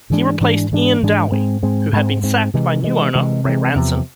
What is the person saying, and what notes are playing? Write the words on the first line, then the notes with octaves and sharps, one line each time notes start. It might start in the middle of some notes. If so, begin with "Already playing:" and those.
He replaced Iain Dowie, who had been sacked by new owner Ray Ranson.
G#2 E3 G#3 D4
G#2 E3 G#3 D4
G#2 E3 G#3 D4
G#2 E3 G#3 D4
G#2 G#3 C4
G#2 G#3 C4
G#2 G#3 C4
G#2 G#3 C4
C3 E3 G#3
C3 E3 G#3
C3 E3 G#3
C3 E3 G#3
E2 C3 F3 B3